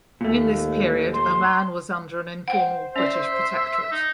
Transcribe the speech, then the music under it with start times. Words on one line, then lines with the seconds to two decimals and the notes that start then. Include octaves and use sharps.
In this period Oman was under an informal British protectorate.
0.21 D#2 A#2 A3
1.14 C6
2.48 C5 F#5 G5
2.96 C#4 D5 E5 C6
3.92 D#4